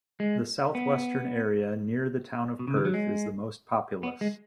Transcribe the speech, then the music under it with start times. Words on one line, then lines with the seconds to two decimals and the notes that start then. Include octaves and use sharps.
The south-western area, near the town of Perth, is the most populous.
0.20 G#3
0.75 B3
2.59 B2
2.68 C#3
2.77 D#3
2.85 F#3
2.94 G#3
4.03 B3
4.21 G#3